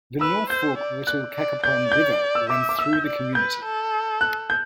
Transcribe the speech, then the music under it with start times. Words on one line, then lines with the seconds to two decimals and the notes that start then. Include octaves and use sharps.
The North Fork Little Cacapon River runs through the community.
0.21 B4 E6
0.50 C5 G6
0.78 D5
1.06 D5 F#6
1.35 D5
1.63 D5 G6
1.92 G6
2.35 E6
2.49 E5 D6
2.69 D6
2.79 E5 E6
2.93 G6
3.07 D5
3.35 B4 G6
3.65 A4
4.21 F#6
4.50 G6